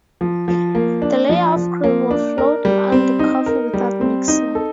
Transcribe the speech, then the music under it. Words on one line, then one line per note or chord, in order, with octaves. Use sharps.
The layer of cream will float on the coffee without mixing.
F3
F3
A#3
D4
F3
F3
A#3
D4
A#4
G3
C4
D#4
A#4
G3
C4
D#4
A4